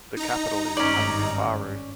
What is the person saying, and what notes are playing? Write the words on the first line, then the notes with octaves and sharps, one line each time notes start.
The capital is Ungoofaaru.
D#4 A#5
G#1 G2 C#4 D5